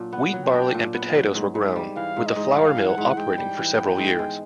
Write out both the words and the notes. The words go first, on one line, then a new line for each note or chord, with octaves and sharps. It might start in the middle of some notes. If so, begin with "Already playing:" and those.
Wheat, barley and potatoes were grown, with a flour mill operating for several years.
Already playing: A#2 F#3 D4
B3 F#5
F#3
G5
D4
A#2
B3
F#3
G#2
G#2
G3
E3 F5
G#2
D#5
G#2
G3 F5
E3
F#5
G#2
G#2 G5
G3
E3
B3
G#2
G#3